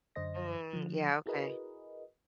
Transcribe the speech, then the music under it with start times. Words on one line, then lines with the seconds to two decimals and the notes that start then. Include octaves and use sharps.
Mm, yeah, okay.
0.15 F#2 D3 C5 D#5 A#6
0.73 D3 F3
1.26 E4 F#4 G#4 A#4 B4 D#5